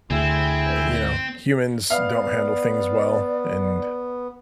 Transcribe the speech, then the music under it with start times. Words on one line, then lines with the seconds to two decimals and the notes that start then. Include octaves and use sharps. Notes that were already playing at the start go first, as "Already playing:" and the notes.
uh, you know, humans don't handle things well and
0.11 D2 C4 E4 G#4
1.90 B3 D5 F5